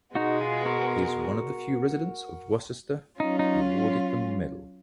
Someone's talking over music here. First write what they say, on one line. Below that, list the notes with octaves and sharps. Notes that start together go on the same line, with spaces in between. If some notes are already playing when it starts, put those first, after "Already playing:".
He is one of the few residents of Worcester to be awarded the medal.
B2 G#3 B3 D#4 F#4
F4 G#4
F#4 A#4
F#3 C#4 D#4 F4
D#4